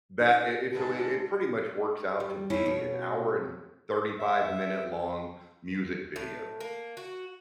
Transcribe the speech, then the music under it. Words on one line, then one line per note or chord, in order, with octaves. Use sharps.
that it it's a way it pretty much works out to be an hour and thirty-five-minute-long music video.
C#4 D#4
G#2 D3 B4 A5
G3
C#4 D#4 E4
B2 F#4 C#5
E5
A2
A#3
F#4